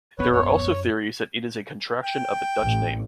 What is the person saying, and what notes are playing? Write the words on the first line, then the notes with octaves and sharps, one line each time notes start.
There are also theories that it is a contraction of a Dutch name.
D#1 A#1 B3 B4 C#5
F#2 C#5
G5
A1